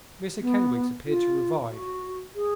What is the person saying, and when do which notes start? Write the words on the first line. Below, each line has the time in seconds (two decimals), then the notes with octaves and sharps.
Mr Kenwigs appeared to revive.
0.41 B3
1.05 F4
1.70 F#4
2.35 G#4